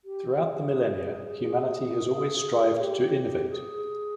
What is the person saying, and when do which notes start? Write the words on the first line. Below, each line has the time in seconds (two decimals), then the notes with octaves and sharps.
Throughout the millenia, humanity has always strived to innovate.
0.05 G4
0.40 G#4
1.43 G#4
2.81 G4
3.50 G#4